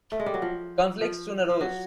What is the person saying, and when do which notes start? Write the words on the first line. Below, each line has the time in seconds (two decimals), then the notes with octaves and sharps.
Conflicts soon arose.
0.12 A3
0.20 G#3
0.26 G3
0.34 F#3
0.42 F3
1.01 F3
1.50 F3
1.61 F#3